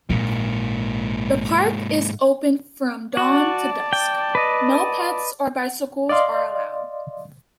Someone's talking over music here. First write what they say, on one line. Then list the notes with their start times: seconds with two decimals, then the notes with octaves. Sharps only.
The park is open from dawn to dusk; no pets or bicycles are allowed.
0.10 A#1 G#2 A#3
3.17 F#4 D5 A5
3.93 G5
4.35 B4 D#5
6.09 D5 D#5 F5 C6